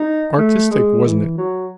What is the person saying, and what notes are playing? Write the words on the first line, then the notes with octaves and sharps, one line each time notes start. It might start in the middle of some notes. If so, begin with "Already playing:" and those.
Artistic, wasn't it?
Already playing: D#4
A3
G#3
E3
F#3